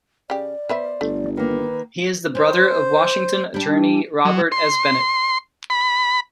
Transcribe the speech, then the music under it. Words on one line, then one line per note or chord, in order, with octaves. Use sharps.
He is the brother of Washington attorney Robert S. Bennett.
C#3 G4 D5
B3 B4 C5 E5
G1 A3
D#3 A#3 B4
C#4 C5
G3 D4
F#3
C6
B5